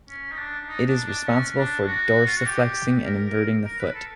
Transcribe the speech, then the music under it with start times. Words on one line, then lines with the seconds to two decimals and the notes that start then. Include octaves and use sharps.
It is responsible for dorsiflexing and inverting the foot.
0.09 C#4
0.32 D#4
0.38 D4
0.68 D#4
0.88 D4
1.07 D4
1.27 C#4
1.57 D4
1.87 F#4
2.26 F4
2.36 F#4
2.46 G4
3.05 A#4
3.64 A#4
3.79 B4
3.94 A4